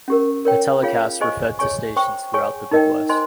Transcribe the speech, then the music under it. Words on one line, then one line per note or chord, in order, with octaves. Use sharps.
The telecasts were fed to stations throughout the Midwest.
C#4 G4 A#4
A#4 C#5 G5
F4 G#4 C#5 F5
G#4 C5 D#5 G#5 C#6
G#4 C#5 G#5 C#6
C5 G5 C#6
G#4 C#5 G#5 C#6
D#4 A#4 D#5 G5
C5 D#5 G#5 C6